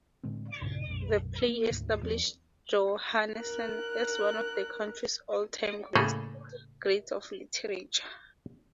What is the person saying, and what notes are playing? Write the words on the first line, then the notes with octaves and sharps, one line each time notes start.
The play established Johannesen as one of the country's all-time greats of literature.
A2 D3 G#3 C4
C2 G2 A#2 C#3
D#1 B1 F#2
A#3
D2 G#2 D3
E2 F3 C4
A#4 F#6
A2 C#3 A3 A#3 G#4 A4